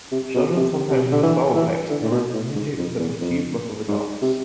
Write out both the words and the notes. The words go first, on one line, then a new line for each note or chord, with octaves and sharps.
Children sometimes use bubble pipes in order to imitate the perceived look of adults.
C3
B2
C3
C3
D3
E3
E3
D3
A2
B2
A2
G#2
F2
E2
F2
G#2
C3